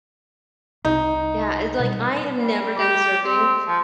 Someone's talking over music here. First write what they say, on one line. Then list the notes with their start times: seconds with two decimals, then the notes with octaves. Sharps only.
Yeah, it's like, I have never done surfing.
0.85 C2 D#4
1.80 B2 G3
2.41 G3
2.78 G4
3.25 C4
3.67 F3